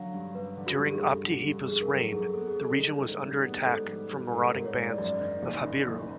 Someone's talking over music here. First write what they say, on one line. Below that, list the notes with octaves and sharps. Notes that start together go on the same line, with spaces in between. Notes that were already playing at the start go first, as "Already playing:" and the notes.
During Abdi-Heba's reign the region was under attack from marauding bands of Habiru.
Already playing: D3 F#3 F5
G2
G2 B4
D3
F#4
G2 G4
G#4
G2 A4
D3
G2
G2 G#4
A#4
F#3 A4
F#3 G#4
B3 A4
G#4
G3 A4
D#3
G#2
G3
B3
G#2 A4
G3
G3
G#2 A4
A#4
G#2
C#5
G#2 D5
F#2 D5
D#3
F#1
D#3
F#1